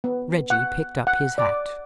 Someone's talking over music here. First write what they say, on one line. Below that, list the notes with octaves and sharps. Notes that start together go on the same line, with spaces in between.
Reggie picked up his hat.
B3
F#5
F#5
D5